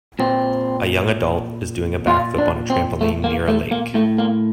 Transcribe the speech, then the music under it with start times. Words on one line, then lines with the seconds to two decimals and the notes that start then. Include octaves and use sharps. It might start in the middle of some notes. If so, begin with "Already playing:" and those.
A young adult is doing a back flip on a trampoline near a lake.
0.19 A#2 C4
2.07 A#2 F4
2.38 D4
2.70 C4
3.01 A3
3.24 A#3
3.48 A3
3.71 A#3
3.94 A2 A3
4.18 A#3